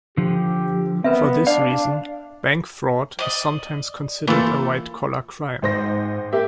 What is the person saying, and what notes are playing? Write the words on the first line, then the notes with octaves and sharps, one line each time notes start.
For this reason, bank fraud is sometimes considered a white-collar crime.
D3 F3 G4
B3 C4 A#4 B4 E5
D4 D5 F5
D5 D#5
E3 A3 A#3 F4 A4
G#1 G#2 C5 A#6
A#3 G4 E5